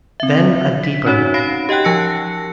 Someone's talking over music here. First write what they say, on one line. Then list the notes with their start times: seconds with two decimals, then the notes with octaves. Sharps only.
Then a deeper matter.
0.20 C4 E5
0.83 B6
1.06 C#4 D#4 F#4 C#5
1.34 F5 B5 A#6 C7 D7
1.69 G4 D#5 F#5 G5 F#6
1.84 F3 A5 E6 A#6 C#7